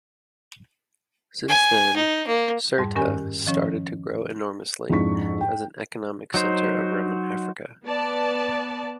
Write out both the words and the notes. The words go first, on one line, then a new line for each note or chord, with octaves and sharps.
Since then Cirta started to grow enormously as an economic center of Roman Africa.
G#5
D#4
A#3
F2 G#2 G3
G2 D#3 C#4 G4 A#4 G#5
D#3 F3 C#4 C#5
F2 G#2 D4 E4 C#6 B6
G5
F#3 D#4 C5
B3 D5 A5